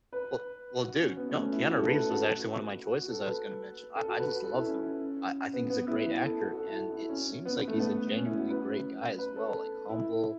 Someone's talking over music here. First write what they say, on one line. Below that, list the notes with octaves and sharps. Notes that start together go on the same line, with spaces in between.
Well well, dude, no, Keanu Reeves was actually one of my choices I was gonna mention. I I just love him. I I think he's a great actor, and it seems like he's a genuinely great guy as well, like, humble,
B4
F#4
C#4
B3
A3
C#4
E4
F#4
A4
B4
A4
F#4
F#4
A4
B4
A4
F#4
B4
B4
A4
E4
C#4
B3
B3
E4
E4
A4
F#4
A4
E4
F#4
E4
C#4
C#4
B3
B3
A3
B3
C#4
E4
F#4
B4
B4
A4
E4